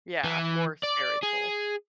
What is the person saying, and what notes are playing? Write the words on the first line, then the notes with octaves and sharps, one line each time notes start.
Yeah, more spiritual.
E3
D5
G#4